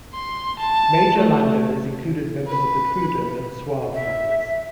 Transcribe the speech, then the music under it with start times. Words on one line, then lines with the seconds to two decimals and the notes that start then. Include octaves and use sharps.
Major landowners included members of the Trudeau and Sauve families.
0.14 C6
0.59 A5
1.18 A3
2.48 B4
3.95 E5